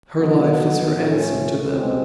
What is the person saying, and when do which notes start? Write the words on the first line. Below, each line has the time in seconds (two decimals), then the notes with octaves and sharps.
Her life is her answer to them.
0.16 B1 A#2 F#3 B3 D#4
0.93 A2 F3 A3 C#4
1.71 C2 B2 G#3 C4